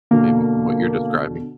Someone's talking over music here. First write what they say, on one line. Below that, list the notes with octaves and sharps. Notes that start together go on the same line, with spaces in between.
maybe from what you're describing.
B2 D3 A#3